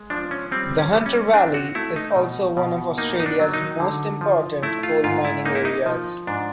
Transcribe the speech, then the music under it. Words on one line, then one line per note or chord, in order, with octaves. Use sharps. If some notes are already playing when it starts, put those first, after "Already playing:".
The Hunter Valley is also one of Australia's most important coal mining areas.
Already playing: G#3
F3 D4
C#4
G3 C4
C#4
G3
C#4
C4 D4
F#4
A3 E4
D#4
B2
B2
A#3 D#4
D#4
D4
F#3
D#4
D3
F3
A3 E4
F4
G#2 F4
E4
A#3 D#4
E4
D#4
F3
G#2 D4